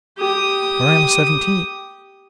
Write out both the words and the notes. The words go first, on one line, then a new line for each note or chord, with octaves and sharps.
When I am seventeen.
G4 D#6